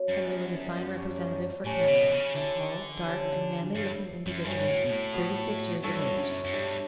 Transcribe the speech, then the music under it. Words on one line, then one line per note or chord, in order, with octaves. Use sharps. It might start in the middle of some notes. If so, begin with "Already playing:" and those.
Henry was a fine representative for Canada; a tall, dark, and manly-looking individual, thirty-six years of age.
Already playing: F#3 B3 D4
F#2
G3 B3 D4
D4 G4 C#5
A2 C#4 G4 B4
B2
C#3
D3 E4 B4 E5
G3 C#4 G4 C#5
G2 D4 A4 E5
F#2
G2 A3 C#4 F#4
A2
B2
A2
B3 F#4 C#5
G2 E4 A4 C#5 E5
F#2
F#2
G2 D4 G4 C#5 E5